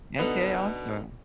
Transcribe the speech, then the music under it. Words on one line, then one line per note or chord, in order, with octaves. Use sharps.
Okay, awesome.
B2 D3 B3 D#4